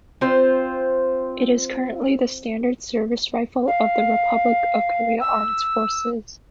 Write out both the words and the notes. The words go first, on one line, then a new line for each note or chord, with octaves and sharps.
It is currently the standard service rifle of the Republic of Korea Armed Forces.
C4 F4 C5
F5
E6